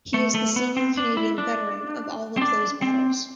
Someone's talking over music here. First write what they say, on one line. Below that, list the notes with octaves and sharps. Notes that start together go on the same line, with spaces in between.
He is the Senior Canadian Veteran of all of those Battles.
A3
A3
B3
C4
D4
E4
D4
C4
D4
C4